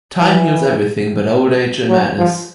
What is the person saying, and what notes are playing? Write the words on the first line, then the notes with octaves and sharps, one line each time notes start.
Time heals everything but old age and madness.
E3
F#3
F3